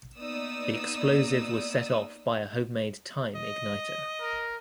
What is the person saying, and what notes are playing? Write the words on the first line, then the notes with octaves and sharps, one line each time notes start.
The explosive was set off by a homemade time igniter.
A#3 B3 D#4 D5 D#6 E6
D#5
A#4